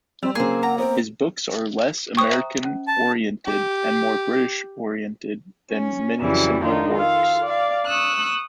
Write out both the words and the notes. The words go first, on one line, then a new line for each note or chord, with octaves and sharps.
His books are less American-oriented and more British-oriented than many similar works.
G3 C4 E6 F7
C#3 F#3 A#3 C4 G#4 C5
F#5 A#5
B3 C4 A#4 C5
C5 G5 C#6 D#6
E5 A#5
C#4
A5
G4
C#4
F2 C#3 E3 F#3 G3
D#3 D4 D#4 F4
F4 A4 F5
D5 F5
C#6 D#6 E6 F#6